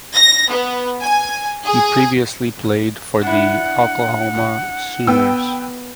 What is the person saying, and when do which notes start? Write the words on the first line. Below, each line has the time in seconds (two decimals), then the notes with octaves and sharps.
He previously played for the Oklahoma Sooners.
0.14 A#6
0.51 B3
1.02 G#5
1.64 G#4
3.22 D4 E4 F#5
5.07 B3 B4 G5 E6